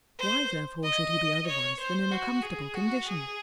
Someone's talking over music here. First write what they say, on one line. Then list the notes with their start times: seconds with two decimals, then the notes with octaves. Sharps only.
Why therefore should he be otherwise than in a comfortable condition?
0.18 C5
0.83 D#5
1.46 C#5
1.79 C5
2.11 F#4
2.42 G#4
2.75 F#4
3.08 G#4